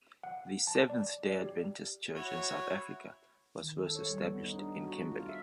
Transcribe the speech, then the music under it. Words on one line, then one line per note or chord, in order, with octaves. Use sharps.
The Seventh-day Adventist Church in South Africa was first established in Kimberley.
F#5
A5
D5
D5
G4
E4 F#4 C#5
D#3
A4
C#5
G3
B3
D#4
D4
F#4
F4
E5